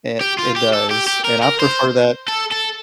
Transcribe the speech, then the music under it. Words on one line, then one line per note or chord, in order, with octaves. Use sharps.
It it does, and I prefer that.
G4
F4
G4
A4
G4
G4
A#4
A#4
C5
A4
A4